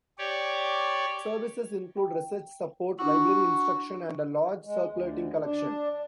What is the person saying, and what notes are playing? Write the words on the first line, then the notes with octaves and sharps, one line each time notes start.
Services include research support, library instruction and a large circulating collection.
G4 C#5 D5
G5
D4 E4 F#4
G#3
D2
D4